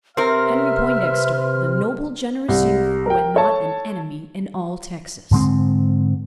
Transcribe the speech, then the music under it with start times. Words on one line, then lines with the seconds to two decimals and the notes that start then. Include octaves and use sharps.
Henry Poindexter--the noble generous youth who had not an enemy in all Texas!
0.17 C3 C4 A#4 B4 E5 C6 F6
2.48 C2
3.06 A#4 G5
3.34 A4 C#5 A5
5.31 G#2 D3 G#3 C4